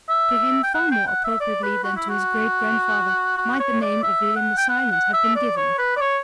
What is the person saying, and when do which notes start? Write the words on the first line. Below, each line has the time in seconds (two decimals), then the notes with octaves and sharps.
To him far more appropriately than to his great-grandfather might the name of William the Silent have been given.
0.09 E5
0.63 G5
0.74 F#5
0.91 G5
1.07 F#5
1.24 E5
1.40 D5
1.63 B4
1.84 F#4
1.97 E4
2.09 F#4
3.38 F#4
3.60 C#5
3.82 D5
4.03 E5
4.36 F#5
4.57 G5
4.69 F#5
4.91 F#5
5.13 E5
5.35 D5
5.57 C#5
5.79 B4
5.97 D5
6.01 C#5